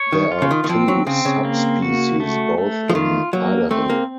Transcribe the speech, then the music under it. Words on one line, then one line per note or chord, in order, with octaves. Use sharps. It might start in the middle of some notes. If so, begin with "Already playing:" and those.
There are two subspecies, both in Idaho.
Already playing: C#5
D#3
F4
C#3
D#3
D#3
F3 C4
F#3
C#3 C4
C#3
A#3
F#4
A3
A3
F3
D#3 F4
F#3 A#3
A3 C4
A#3